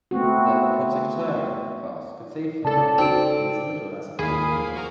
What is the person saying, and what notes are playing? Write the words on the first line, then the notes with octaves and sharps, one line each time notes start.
The "Protecteur" class could safely navigate in as little as of water.
A3 B3 C4 F#4
C#3 A4 D5 A5
C4 D#4 F#4 D7
D#2 A#3 G#4 F5 B5 D#6
F3
A#3 F#4 A#4